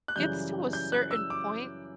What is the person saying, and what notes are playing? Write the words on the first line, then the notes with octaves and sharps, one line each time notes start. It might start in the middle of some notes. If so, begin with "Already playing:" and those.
gets to a certain point
F#6
F#2 C#3 E3 G3 G6
G6
F#6
E6
D6